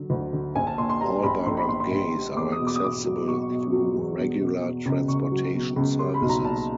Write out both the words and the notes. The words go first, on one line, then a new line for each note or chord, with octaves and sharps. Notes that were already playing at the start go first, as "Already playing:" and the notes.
All barangays are accessible through regular transportation services.
Already playing: D3 F#3
D2
D3
A#1 G#5
A5
A#2 C6
C6
G3 A#5
A#1 B5
A#1 C6
B5
A#1 C6
C6
A#1
G3
E2 D6
D#6
B2
D6
D#6
B2 D6
F#3
B2 C#6
B2
F#3
E2
B2
B2
B2
C#2
C#2 C#6
F#3
B2
C#2
G3 C6
B5
B1
A#5
A#2 A5